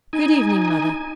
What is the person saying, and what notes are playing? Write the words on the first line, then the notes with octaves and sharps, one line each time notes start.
'Good evening, Mother.'
D#4 G#5